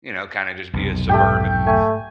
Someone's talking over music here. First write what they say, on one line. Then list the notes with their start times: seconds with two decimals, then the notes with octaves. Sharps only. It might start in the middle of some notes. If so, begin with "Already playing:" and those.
you know, kinda just be a suburban
0.74 B1 F2 C3
1.09 G#2 A3 G4 G5
1.67 A3 G#5